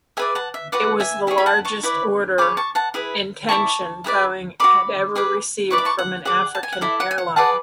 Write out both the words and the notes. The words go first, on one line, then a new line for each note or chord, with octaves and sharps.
It was the largest order intention Boeing had ever received from an African airline.
G#4 B4 D5 E5 G#5
F#5 A5
E5
F#4 B4 D5 F#5
E5 G#5
E4 G#4 C#5 E5 G#5
B5
F#5 A5
A5 C#6
E4 B4 D5
G#4 C#5 B5 D6
A5 C#6
F#5 A5
E4 G#4 B4
E4 G#4 D5 A5 C#6
E4 G#4 B4 D5
F#4 A4 D5 B5 D6
G#4 B4 D5
E4 B4 D5 C#6
D6
A5 C#6
F#5
G#4 D5 F#5
A5
G#5
F#5
E4 A4 D5 E5
F#5
G#5
F#5
G#4 B4 D5 F#5 A5